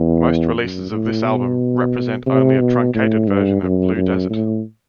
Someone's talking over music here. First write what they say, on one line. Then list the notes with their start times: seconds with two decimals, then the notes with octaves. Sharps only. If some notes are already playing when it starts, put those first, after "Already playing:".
Most releases of this album represent only a truncated version of "Blue Desert".
Already playing: E2
0.57 F#2
0.91 A2
1.25 B2
2.26 C3
2.60 B2
2.95 A2
3.28 G2
3.63 F#2
3.96 F#2
4.30 A2